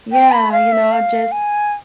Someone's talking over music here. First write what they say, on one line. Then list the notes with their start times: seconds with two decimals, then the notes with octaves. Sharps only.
Yeah, you know, I just
0.12 G5
0.32 B5
0.52 F5
0.72 E5
0.92 F5
1.32 G#5